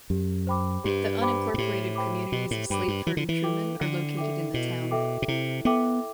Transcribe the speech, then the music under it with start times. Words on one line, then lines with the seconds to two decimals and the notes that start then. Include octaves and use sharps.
The unincorporated communities of Slateford and Truman are located in the town.
0.10 F#2 G4
0.47 C5 G5 B5 D6
0.84 G2 G4
1.22 C5 G5 B5 D6
1.54 G2
1.58 A2 G4
1.96 C5 G5 B5 D6
2.32 B2 G4
2.51 A2
2.70 G2 C5 G5 B5 D6
2.88 G2
3.07 E3 E4
3.17 D3
3.29 E3
3.44 A4 E5 G5 D6
3.80 D3 E4
4.17 A4 E5 G5 D6
4.54 B2 E4
4.91 A4 E5 G5 D6
5.22 B2
5.28 C3 E4
5.65 B3 A4 E5 G5 D6